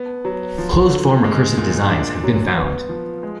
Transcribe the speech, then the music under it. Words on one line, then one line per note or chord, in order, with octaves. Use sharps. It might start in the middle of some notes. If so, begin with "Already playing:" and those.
Closed-form recursive designs have been found.
Already playing: B3
F#3
F3
D3
G#3
A#2
D4
F#3
B3
F3
G#3